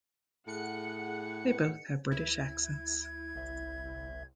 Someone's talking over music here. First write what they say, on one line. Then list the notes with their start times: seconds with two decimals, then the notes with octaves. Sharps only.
They both have British accents.
0.48 A2 G#4 F#5 C#7
2.12 D2 E4 G#6
3.35 G1 C2 E5